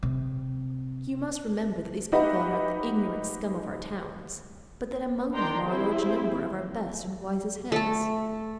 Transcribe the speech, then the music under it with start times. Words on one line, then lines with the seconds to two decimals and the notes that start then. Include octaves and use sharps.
You must remember that these people are not the ignorant scum of our towns, but that among them are a large number of our best and wisest heads.
0.03 C3
2.12 D#4 G4 B4 D#5 E5 F#5
5.34 D#3 D4 G5 A#5 C6
5.68 C4 E4 G4 G#4 C5
7.72 A3 A4